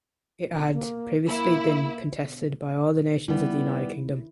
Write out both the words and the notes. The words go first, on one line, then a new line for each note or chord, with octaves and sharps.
It had previously been contested by all the nations of the United Kingdom.
A#3
A#3 E4
D#3 G3 B3 E4